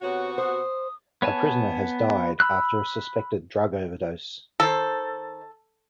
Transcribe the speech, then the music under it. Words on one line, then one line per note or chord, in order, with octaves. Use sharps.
A prisoner has died after a suspected drug overdose.
C3 B3 F#4 C#5
C5 D#6
B3 C#5 G#5 A5
B5 E6 F#6
D#3 A4 C5